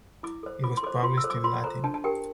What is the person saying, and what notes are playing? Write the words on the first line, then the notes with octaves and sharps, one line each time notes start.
It was published in Latin.
E4 D6
A4 C5
F4 D6
C6
A4 C5 D6
F4 C6
E6
A4 C5
D6
F4 C6
A4 C5 A#5
D4 A5
A5
G4 A#4 G5